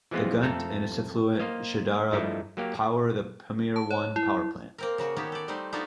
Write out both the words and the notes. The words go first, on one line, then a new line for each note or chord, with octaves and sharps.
The Gunt, and its affluent Shahdara, power the Pamir I power plant.
E3 F3 G#3 B3 C4 F4
F2 A3 C4 A4 F5 A#5
A#3 C5 D#5 F5
G2 F3 G3 A3 D#4 E4
F#3 A#3 G4 F5
A5
C#5
E4
A#3 C4 A#4
C#3 A#3 F#4
D#3 B3 C#4 G4
A4 D5
G3 A3 C4 D#4 C5
A3 B3 D4 D#4 F4 F#4